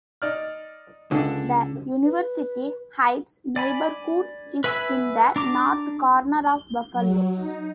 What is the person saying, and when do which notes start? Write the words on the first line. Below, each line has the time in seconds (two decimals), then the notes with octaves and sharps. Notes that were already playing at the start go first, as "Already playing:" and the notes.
The University Heights neighborhood is in the north corner of Buffalo.
0.22 D#4 D5 F6
1.11 C#2 D3 D4
2.05 B4
3.56 D5 G#5 B5
4.64 B4 E5 G#5 B5 E6
5.36 D4 A#5 D6
6.92 F#3
7.34 D#4